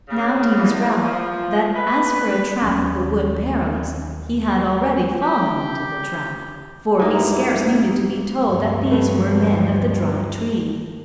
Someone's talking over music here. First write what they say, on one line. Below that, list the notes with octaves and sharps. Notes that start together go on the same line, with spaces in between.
Now deems Ralph that as for a trap of the Wood Perilous, he had already fallen into the trap; for he scarce needed to be told that these were men of the Dry Tree.
C#3
E2
F3
B4
D#2 F#3 C#4
G4
G2 F#3 A#3 D#4 E4 D#6
D2 G2 F3
A3 B4